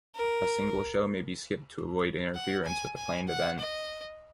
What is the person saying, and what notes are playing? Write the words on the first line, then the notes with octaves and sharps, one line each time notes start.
A single show may be skipped to avoid interference with a planned event.
A#4
F#5
G#5
G#5
F#5
D#5